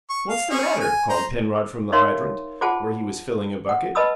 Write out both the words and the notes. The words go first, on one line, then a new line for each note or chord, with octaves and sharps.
"What's the matter?" called Penrod from the hydrant, where he was filling a bucket.
C#6
F5
C#4 G#4
G#5
C5 A#5
D#4 A#4 C#5 E5 F5 C6
F4 F#4 G#4 C5 F#5 A5
F#5
B4 D#5 A5 B5 D#6 E6